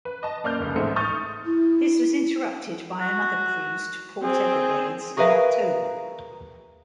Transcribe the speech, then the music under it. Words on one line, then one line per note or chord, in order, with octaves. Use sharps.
This was interrupted by another cruise to Port Everglades in October.
B4
D#5 A5
F#2 A#3 D5 F6 G6
F1 C#2
A1 G#2 G#3 A3 C4 C#7
C#6 D#6 F6 G6 A6
E4
F#4
C4 G#4
F#4 G#4 A#4 B4 E5 F5